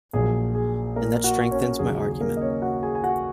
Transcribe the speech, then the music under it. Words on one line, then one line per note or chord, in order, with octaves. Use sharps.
And that strengthens my argument.
A#1 A#2 F#3 G#4
G#4
A#3 A#4
F#4 F#5
C#4 C#5
D#2 C#3 F#3 G#4
G#4
G#4
A#3 A#4
D#5
C#4 C#5
F#4 F#5
G#4 G#5
G#5
F#4 F#5